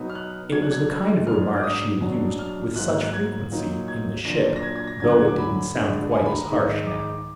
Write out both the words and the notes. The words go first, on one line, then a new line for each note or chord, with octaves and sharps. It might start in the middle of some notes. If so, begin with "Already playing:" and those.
It was the kind of remark she had used with such frequency in the ship, though it didn't sound quite as harsh now.
Already playing: B2 F#3 B3 D#4
F6
F#6
B2 F#3 D4 G#6
F#6
G#6
G#2 F#3 B3 D4 F6
D6
D#6
B2 F#3 D4
F6
G#2 F#3 A#3 F#6
F#6
G#6
A#2 F#3 A#3 D#4
G#6
A#2 F#3 D4 A#6
A#6
G#6
G#6
A#6
D2 D3 F#3 D4 G#6
F#6
G#6
D6
B5
D3 G#3 B3 D4
G#5
B5
A#5
G#2 D#3 G#3 D#4
D6